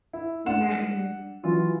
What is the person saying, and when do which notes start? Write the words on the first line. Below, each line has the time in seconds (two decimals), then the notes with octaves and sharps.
Mhm, mhm.
0.13 E4
0.46 D4 F#5 E7
1.43 E3 F#3 F4 F#4